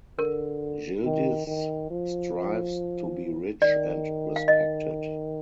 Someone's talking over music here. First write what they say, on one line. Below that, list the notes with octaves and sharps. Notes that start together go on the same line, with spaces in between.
Yildiz strives to be rich and respected.
D3 A#4
D#3
D#3
F3
D#3 D5
F5
D#5